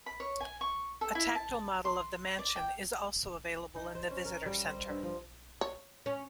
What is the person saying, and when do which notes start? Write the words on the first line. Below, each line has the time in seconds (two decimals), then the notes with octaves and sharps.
A tactile model of the Mansion is also available in the Visitor Center.
0.06 B5
0.20 C#5
0.40 G#5
0.61 C#6
1.01 A4
1.15 E4
1.35 A5
1.85 C6
2.39 D5
2.56 G5
3.76 D#4
3.95 C5
4.10 C#4
4.25 A#4
4.46 G3
4.65 C5
4.77 D#5
4.90 G2
5.03 F3
5.61 C#5
6.06 C#4